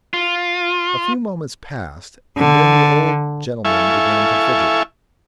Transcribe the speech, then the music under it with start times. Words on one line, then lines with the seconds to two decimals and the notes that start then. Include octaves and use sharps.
A few moments passed, and then the old gentleman began to fidget.
0.14 F4
2.38 D3
3.65 E4 A4 E5 F5 G#5 C#6